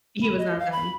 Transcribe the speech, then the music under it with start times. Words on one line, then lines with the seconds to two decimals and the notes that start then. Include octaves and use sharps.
He was not them.
0.22 B5
0.38 D#5
0.59 F5
0.72 B5